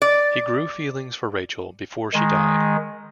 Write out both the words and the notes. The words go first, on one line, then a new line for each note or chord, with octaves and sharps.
He grew feelings for Rachel, before she died.
D5
D#3 G#3